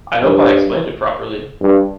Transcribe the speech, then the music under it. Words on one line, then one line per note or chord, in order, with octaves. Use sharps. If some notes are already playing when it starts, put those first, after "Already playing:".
I hope I explained it properly.
G2
G2